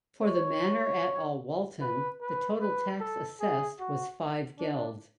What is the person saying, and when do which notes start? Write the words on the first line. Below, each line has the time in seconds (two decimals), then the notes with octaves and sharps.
For the manor at Alwalton the total tax assessed was five geld.
0.22 C#5
1.81 B4
2.21 B4
2.60 B4
3.00 A4
3.40 G#4
3.80 F#4
4.58 D4